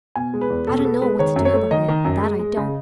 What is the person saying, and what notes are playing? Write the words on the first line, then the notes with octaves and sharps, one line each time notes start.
I don't know what to do about it, that I don't.
B2 G#5
G#3
B4
E2
B2 A4
G#4
B3 A4
G#3 B4
D#3 C#5
F#2
C#5
A3
D#3 D#5
D#3
F#2
G#3
G#3
C#3